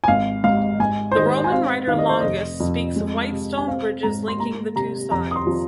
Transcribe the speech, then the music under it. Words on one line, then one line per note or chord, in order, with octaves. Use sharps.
The Roman writer Longus speaks of white stone bridges linking the two sides.
G#5
G#1 F5
G#2 F5
G#2 G#5
C5
D#3 D#5
G#5
C4 F5
D#3 F5
D#5
C5
F1 D#5
F2
G#3
C3
G#5
C4 F5
G#2 A#5
C6
A#3 A#5
C3 A#5
F2 A#5
D#6
C6
F3